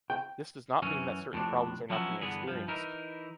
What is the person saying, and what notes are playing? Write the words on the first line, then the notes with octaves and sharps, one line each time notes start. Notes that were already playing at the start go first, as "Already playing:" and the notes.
This does not mean that certain problems are not being experienced.
G5
F#2 E3 C#4
F2 A2 C3 D4
F3 F#3 B3 C#4 E4 F#4
G2 D3 E3 B3 G#4
G2 F3
E3 D#4 E4 A#4